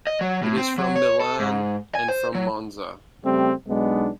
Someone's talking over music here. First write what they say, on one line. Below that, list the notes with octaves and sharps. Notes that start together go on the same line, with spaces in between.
It is from Milan and from Monza.
D#5
F#3
A2
C4
F#3
C#5
A4
G#2
G#5
C5
F#3
C#3 G3 A3 C4 G4
B1 G#3 B3 D4 D#4